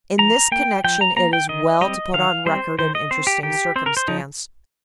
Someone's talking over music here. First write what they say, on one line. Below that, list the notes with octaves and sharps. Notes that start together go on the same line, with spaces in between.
In this connection it is well to put on record an interesting circumstance.
F3 A#5
A#3 G5
F3 G5
A#5
A#3 A#5
G5
D#3 D#5
G3 C4 D#5
D#3 F5
G3 C4 C5
D#3 C5
D#5
C4 C5
G4
D#3 G4
C4 C5
A#4
C5
F3 D#4